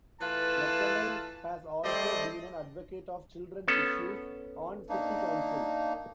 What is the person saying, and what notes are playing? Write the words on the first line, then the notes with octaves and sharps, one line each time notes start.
McConnell has also been an advocate of children's issues on city council.
E3 A3 F4 B4 A5
G3 A3 C4 C5 D5 D#5
B3 C#4 A4
A#3 D4 D#4